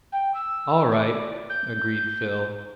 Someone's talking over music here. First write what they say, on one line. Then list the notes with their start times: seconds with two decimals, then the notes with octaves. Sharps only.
"All right," agreed Phil.
0.12 G5
0.34 E6
0.91 D5
1.49 G6